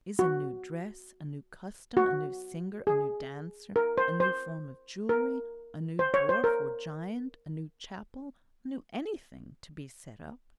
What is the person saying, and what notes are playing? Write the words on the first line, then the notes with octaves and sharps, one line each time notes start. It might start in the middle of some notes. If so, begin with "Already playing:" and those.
Is a new dress, a new custom, a new singer, a new dancer, a new form of jewellery, a new dwarf or giant, a new chapel, a new anything, to be set up?
F#4
F#4
G#4
A#4
C5
C5
A#4
C5
C#5
C5
A#4